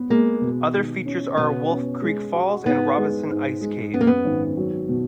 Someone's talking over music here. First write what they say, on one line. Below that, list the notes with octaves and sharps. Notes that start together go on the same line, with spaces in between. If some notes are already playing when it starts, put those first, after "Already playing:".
Other features are Wolf Creek Falls and Robinson Ice Cave.
Already playing: B3
G#3 A#3
B2
D#3
C#4
B2 B3
C#4
G#3
F#4
G#2 B3
G#3
G#2
G#3
F#2 B3
A#3
B3
G#1
F#3
B2